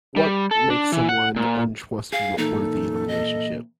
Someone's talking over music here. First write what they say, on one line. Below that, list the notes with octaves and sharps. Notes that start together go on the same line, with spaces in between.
what makes someone untrustworthy in a relationship?
G3
A4
D4
E3
F#5
A#2
G#4 F5
A#2 E3 A#3 D#4 A4
D#5